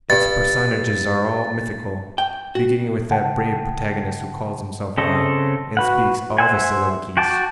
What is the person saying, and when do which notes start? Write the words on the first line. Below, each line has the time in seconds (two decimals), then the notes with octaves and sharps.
Its personages are all mythical, beginning with that brave protagonist who calls himself I and speaks all the soliloquies.
0.10 G2 A6
2.18 G5
2.55 F#4
3.10 C#3 F#5 G5 A5
4.98 C#3 C4 A4 D#5
5.77 F#4 B4 F#5
6.38 C5 E5 F#5 G#5
7.17 F#4 G5 A5 D6